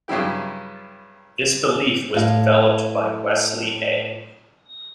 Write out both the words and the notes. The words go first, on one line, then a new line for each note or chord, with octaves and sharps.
This belief was developed by Wesley A.
G2 C#3 F#3 E4 G4
A2 F5